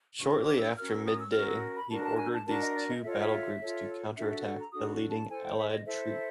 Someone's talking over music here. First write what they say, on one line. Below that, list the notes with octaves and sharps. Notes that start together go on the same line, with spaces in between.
Shortly after midday, he ordered these two battlegroups to counter-attack the leading Allied troops.
D4 G4 C5 C#6
D6
E6
C#4 F#4 A#4 F6
E6
D#6
E6
C#4 F#4 A#4 F6
E6
B5
D4 F#4 A#4 A5
A5
G#5
A5
D4 F#4 A#4 A5
D#5
D5
D#5
F4 A4 C#5 E5
D#5
E5
F4 A4 C#5
D4 F#4 A4 E5
E5
F#5
A#5
D4 F#4 A4 D#6
A5
E4 A4 C5 G#5
G5
E5
D#5
E4 A4 C5 E5